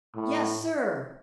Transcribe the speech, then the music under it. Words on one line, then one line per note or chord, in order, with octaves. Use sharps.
"Yes, sir."
A2